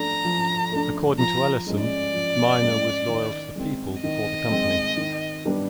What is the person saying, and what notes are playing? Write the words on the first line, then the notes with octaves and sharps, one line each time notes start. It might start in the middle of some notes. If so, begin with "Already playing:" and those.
According to Ellison, Miner was loyal to the people before the company.
Already playing: F3 A3 D4 A#5
F3
A3 D4
F3 A#5
G#3 C#4
D5
F3
G#3 C#4
D#3
G#3 C4
D#3 D#5
G#3 C4
D#3
G3 B3 D4